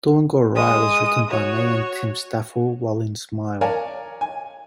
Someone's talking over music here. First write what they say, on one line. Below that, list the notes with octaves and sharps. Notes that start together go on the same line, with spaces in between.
"Doing All Right" was written by May and Tim Staffell while in Smile.
G#3 D#6
F#4 C#5
A#4 C#5 D5 F5 G#5 A5
G#5